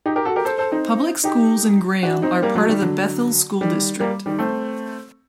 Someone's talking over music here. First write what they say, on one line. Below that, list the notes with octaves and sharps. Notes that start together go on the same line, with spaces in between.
Public schools in Graham are part of the Bethel School District.
D#4 G4
G4 A#4
F#4 A4
G4 A#4
A4 C5
A4 C5
C4 D#4
D#4 G4
D4 F#4
C4 D#4
G3 A#3
F#3 A3
D#3 G3
D3 F#3
D#3 G3
G3 A#3
D#3 G3
A3 C4